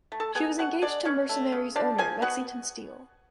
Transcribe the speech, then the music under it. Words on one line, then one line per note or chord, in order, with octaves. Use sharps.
She was engaged to Mercenary's owner, Lexington Steele.
A3
A4 A5
B3 G#4 G#5
B2 F#4 F#5
G#3 D4 D5
B2 C#4 C#5
A3
C#3
F3 D4 D5
F3 G#4 G#5
B3 F#4 F#5